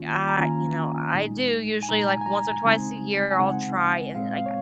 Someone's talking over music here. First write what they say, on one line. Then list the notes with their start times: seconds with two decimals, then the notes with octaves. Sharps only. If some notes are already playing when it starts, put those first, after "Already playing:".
I you know, I do usually, like once or twice a year, I'll try and like, uh,
Already playing: D#3 A#3 C#4 F4
0.28 A#5
0.38 D#3 A#3 C#4 F4 G#5
1.14 A#2 G#3 D#4
1.83 G#5
1.89 A#2 G#3 D#4 A#5
2.08 G#5
2.21 G#5
2.26 A#5
2.45 G#5
2.64 C#3 G#3 C4 D#4
3.31 G#5
3.39 C#3 G#3 C4 D#4 F#5
4.15 A#2 G#3 C4 F5
4.33 F5
4.46 C#5